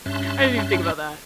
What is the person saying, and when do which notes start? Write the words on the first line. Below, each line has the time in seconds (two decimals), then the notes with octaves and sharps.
didn't even think about that.
0.06 G2 C#4 E5 A5 C6 F#6